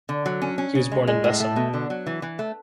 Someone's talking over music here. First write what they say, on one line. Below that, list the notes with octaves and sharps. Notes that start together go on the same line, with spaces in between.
He was born in Vessem.
D3
F#3
C#4
C#4
C#3
G#3
G#3
A2
A3
B2
D3
F#3
E3
E3
A3